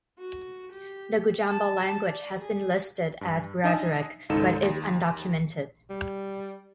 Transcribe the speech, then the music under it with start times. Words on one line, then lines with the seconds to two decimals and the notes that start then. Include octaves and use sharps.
The Gujambal language has been listed as Wiradhuric, but is undocumented.
0.19 F#4
0.73 G4
1.49 A5
2.05 D5
2.42 G#4
3.21 G2
3.64 D4 D#4 D#5 E5 G#5
4.29 G#1 C#2 D#4 A4 E7
4.63 D#2
5.90 G3